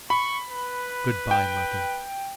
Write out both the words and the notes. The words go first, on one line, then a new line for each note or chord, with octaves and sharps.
"Good-bye, mother."
B5 C#6
B4
G5